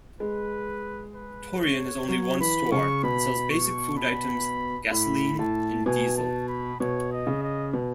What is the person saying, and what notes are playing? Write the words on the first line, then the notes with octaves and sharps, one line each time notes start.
Torreon has only one store, and sells basic food items, gasoline, and diesel.
G#3 B4
B4
C#5
F#3 C#5
E3 B5
C#3 C#6
B2 B5
C#6
B5
A2 B5
A2 A5
B2 G#5
A5
B5
B2 C#5
D#5
C#3
D#5
B2